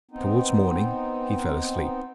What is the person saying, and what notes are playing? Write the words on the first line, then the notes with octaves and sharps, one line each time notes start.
Towards morning he fell asleep.
B3 C4 D#4